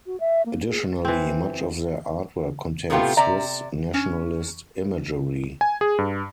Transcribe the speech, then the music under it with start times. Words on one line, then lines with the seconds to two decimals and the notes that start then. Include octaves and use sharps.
Additionally, much of their artwork contains Swiss nationalist imagery.
0.06 F#4
0.20 E5
0.46 A#3
0.67 G#4
1.05 E3 C4
2.90 A2 C3 A3 B3 F4 G4
3.17 C3 D5 E5 A#5
3.94 C#4
5.61 G#5
5.81 G#4
5.98 G2